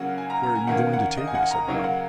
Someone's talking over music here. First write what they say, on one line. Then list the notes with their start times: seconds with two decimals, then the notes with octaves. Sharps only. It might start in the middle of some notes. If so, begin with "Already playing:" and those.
'Where are you going to take me?' said Bob.
Already playing: C#3 F#3 A#3 C#4 F#5
0.18 G#5
0.30 A#5
0.43 A#5
0.55 G#5
0.67 D#3 A#3 C#4 F#5
0.93 F#5
1.17 D#5
1.28 G#5
1.35 F#5
1.51 A#5
1.68 C#3 F#3 A#3
1.84 F#5